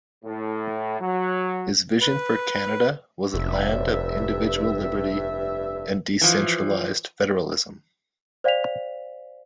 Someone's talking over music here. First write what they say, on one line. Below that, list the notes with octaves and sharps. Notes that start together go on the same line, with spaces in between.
His vision for Canada was a land of individual liberty and decentralized federalism.
A2
F#3
B4
F1 G2 E5
E3 F3
C5 D5 F5 G5 B6 F7